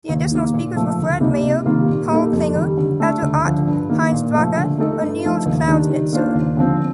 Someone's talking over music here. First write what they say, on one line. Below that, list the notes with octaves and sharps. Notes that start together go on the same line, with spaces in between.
The additional speakers were Fred Maire, Paul Klinger, Edgar Ott, Heinz Drache or Niels Clausnitzer.
D#2
D#3 A#3
A#2
F3 A3
D2
C3 G3 A#3 D#4
C3
D#3 G3 A#3 F4
A#2
G3 A#3 D#4 A4
F2
D#3 G3
D3
A3 D4
D2
D3 F3
G2
D#3 A#3
A#2
F3 A3
D3
A3 D#4 A4
G2
F3 A3 D#4
D#2
D#3 G3 D4
D#3
A#3 D4 F4 C5
D#2
D3 F3 C4